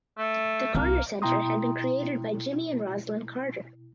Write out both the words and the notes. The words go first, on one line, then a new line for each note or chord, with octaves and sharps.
The Carter Center had been created by Jimmy and Rosalyn Carter.
A3
C2 A#3
B2 E4 G5 A#5 C6 D#6